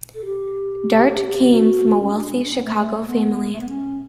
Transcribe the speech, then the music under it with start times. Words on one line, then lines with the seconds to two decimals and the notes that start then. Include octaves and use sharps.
Dart came from a wealthy Chicago family.
0.14 A4
0.24 G4
1.50 F#4
2.01 C#4
2.13 D4
2.44 D4
2.54 B3
2.64 A3
2.75 A3
3.07 B3
3.52 A3
3.60 B3
3.69 C#4